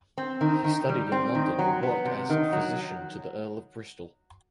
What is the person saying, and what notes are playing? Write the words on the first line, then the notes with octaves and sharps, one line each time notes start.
He studied in London and worked as physician to the Earl of Bristol.
C4
D#3
D#3
G3
C4
D#3
F#3
B3
C3
D#3
F#3